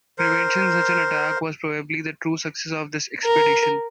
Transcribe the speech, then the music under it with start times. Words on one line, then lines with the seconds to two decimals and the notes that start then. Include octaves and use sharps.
Preventing such an attack was probably the true success of this expedition.
0.18 A#4 C5
3.24 A#4